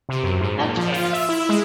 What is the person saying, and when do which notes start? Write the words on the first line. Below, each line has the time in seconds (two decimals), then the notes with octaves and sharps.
That's fair.
0.09 C3
0.23 F#2
0.40 G#2
0.60 A#2
0.77 F3
0.92 F4
1.13 E5
1.29 E4
1.49 G#3